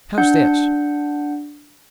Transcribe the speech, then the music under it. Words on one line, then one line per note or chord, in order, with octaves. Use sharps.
How's this?
D4 F#5 G6